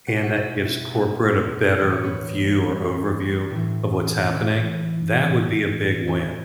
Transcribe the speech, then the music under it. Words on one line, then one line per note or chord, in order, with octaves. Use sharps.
and that gives corporate a better view or overview of what's happening, that would be a big win.
B2 F#5
E5
F#4 F#5
E4 E5
E4 E5
B3 B4
A2 E3 B4
C#5
B3 B4
A2
E3
E3 E4
A2 E3
E3 E4